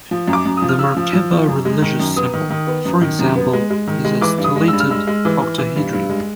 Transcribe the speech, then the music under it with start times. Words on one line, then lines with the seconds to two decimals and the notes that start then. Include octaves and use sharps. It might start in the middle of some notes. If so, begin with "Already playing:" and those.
The Merkaba religious symbol, for example, is a stellated octahedron.
0.11 F3
0.28 F#2
0.33 D6
0.46 F#2
0.57 F3 D#6
0.69 F6
0.79 C#3 E6
0.97 F3
1.13 F3
1.31 F3
1.48 F#2
1.65 G#3
1.82 D#3
1.99 F#2
2.16 B3 D#6
2.34 D#3
2.50 D#3
2.67 B3
2.85 F#2
3.01 D#3
3.19 F#2
3.36 B3
3.53 G#3
3.70 G#3
3.87 D#3
4.05 G#3
4.21 E3 D6
4.38 G2
4.44 D#6
4.56 G#3
4.68 G2 E6
4.80 F6
4.90 G#3 E6
5.07 G#3
5.25 E3
5.42 E3
5.58 E3
5.76 G2
5.93 G2
6.09 G#3